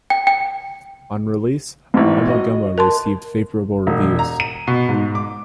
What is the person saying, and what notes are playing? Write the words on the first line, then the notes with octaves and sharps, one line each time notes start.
On release, "Ummagumma" received favourable reviews.
G5
G5
A1 G#2
F#4 D#5
A#4 A5 C6
E1
A#5
D#7
B2
G#2
D6